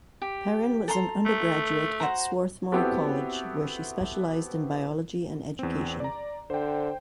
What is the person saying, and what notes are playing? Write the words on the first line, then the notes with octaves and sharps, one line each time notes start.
Perrin was an undergraduate at Swarthmore College where she specialized in biology and education.
G4
A4 A#5 C6
A3
F#4 C5 A#5
B3 C4 E4 F#4 G4 A4
E2 C4
D5 A#5
D3 C5 G5